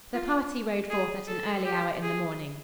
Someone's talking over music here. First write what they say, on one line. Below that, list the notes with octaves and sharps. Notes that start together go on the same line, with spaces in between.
The party rode forth at an early hour in the morning.
F4
G#4
A4
G4
G#4